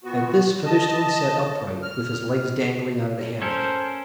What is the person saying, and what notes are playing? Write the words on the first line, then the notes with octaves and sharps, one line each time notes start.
At this Featherstone sat upright, with his legs dangling out of the hammock.
A#2 B3 F#4
D#5 A5
F6
C#4 A4 A#4 C5